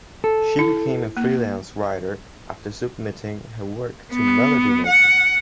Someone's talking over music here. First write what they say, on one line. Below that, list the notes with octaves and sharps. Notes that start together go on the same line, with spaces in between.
She became a freelance writer after submitting her work to "Melody Maker".
A4
E4
A#3
B3
F#5